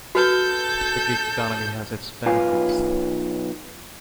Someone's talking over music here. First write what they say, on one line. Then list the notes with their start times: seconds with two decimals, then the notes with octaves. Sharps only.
The gig economy has its benefits.
0.15 F#4 A4 B4 G6
2.26 B1 F4 B4 F5 G#5